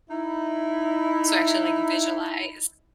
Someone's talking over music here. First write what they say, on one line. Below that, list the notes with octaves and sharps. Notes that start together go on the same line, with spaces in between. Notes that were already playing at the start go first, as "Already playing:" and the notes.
So actually, like, visualize
D#4 E4